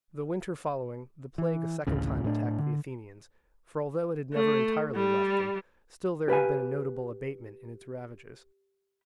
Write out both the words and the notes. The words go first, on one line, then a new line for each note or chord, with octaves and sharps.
The winter following, the plague a second time attacked the Athenians; for although it had never entirely left them, still there had been a notable abatement in its ravages.
E3
A1 D2 A2 C#3
A2 A3 D4
D3
A3
G3
G4 B4 F5 G#5